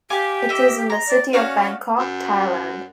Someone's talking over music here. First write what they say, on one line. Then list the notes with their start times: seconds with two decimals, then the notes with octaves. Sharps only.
It is in the city of Bangkok, Thailand.
0.10 G4 F5 G#5 D6
0.49 D#5 E5
0.90 A#5
1.07 D5
1.33 C#4 F#4 D5 F5
1.99 F#2